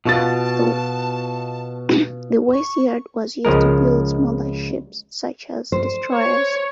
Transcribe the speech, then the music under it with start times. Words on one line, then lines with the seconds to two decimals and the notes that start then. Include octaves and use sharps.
The west yard was used to build smaller ships such as destroyers.
0.05 B2 F4 F#4 A5 A6
2.53 C#6
3.45 C#2 F3 G#3 A#4
5.72 C5
6.13 C#5